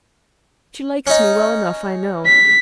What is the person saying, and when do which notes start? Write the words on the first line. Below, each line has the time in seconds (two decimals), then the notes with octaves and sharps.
She likes me well enough, I know.
1.07 C#4 D#4
2.26 B6